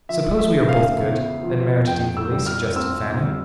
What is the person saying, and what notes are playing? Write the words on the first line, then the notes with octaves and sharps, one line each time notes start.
"Suppose we are both good, and merit it equally?" suggested Fanny.
F3 E5
E5
C#3
F5
E2
F3
F2 G5
E6
G3
F6
C4 E6
G3